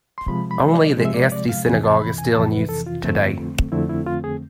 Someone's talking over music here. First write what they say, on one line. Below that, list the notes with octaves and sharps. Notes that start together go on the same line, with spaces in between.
Only the Asti synagogue is still in use today.
C6
C3 F3 G#3 B5
B5
D5
C3 F3 G#3
E5
D5
D5
F5
F2 C3 E3 G#5
A5
B5
G#5
F2 C3 E3 A5
B4
A4
F4
F2 D3 A3 C4
F2 D3 A3 C4 E4
E4
F4
G#4